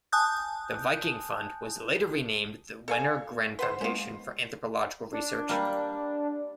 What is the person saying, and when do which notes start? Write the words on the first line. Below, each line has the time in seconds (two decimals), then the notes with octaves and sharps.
The Viking fund was later renamed the Wenner-Gren Foundation for Anthropological Research.
0.12 G#5 A5 D#6 F#6 G6
2.88 A4 F5 G#5
3.59 G1 B4 C5 F#5 C6
3.81 G#3 A#3 B3 C#4 F4
5.12 D4
5.49 G3 A#3